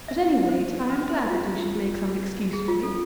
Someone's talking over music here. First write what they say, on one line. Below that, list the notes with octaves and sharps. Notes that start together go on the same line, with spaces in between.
At any rate, I am glad that you should make some excuse for me.
E5
C5
B4
C5
F4
G#4
F4
A4